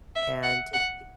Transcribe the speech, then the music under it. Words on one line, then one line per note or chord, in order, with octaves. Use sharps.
and take the
E5
F#5
F#5